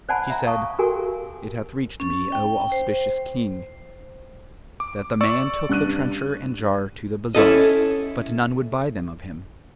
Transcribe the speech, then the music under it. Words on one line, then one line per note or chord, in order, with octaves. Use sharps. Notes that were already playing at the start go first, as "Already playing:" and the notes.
She said, It hath reached me, O auspicious King, that the man took the trencher and jar to the bazar, but none would buy them of him.
C5 D5 F#5 G#5 A5 B5
E5 A#5
F5 A5 C#6 D#6
F#4 G4 A4 A#4 G5 G#5
C#4
G5
C5
D6
D5 C#6 E6
G2 F#6 D#7
C#4 E4 A4 D#5